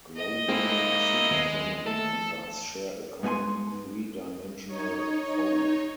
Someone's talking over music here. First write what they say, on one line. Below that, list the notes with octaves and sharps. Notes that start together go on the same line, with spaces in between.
Globin superfamily members share a common three-dimensional fold.
D#5
G#3 A#3 C4 D#4 E4
D#2 G#3 B3
A3 A4
G#2 B3 F4 G#5 C6
D#4 C#5